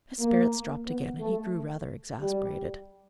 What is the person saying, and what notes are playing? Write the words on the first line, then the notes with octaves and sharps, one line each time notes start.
His spirits dropped again, and he grew rather exasperated.
A#3
B3
A3
G3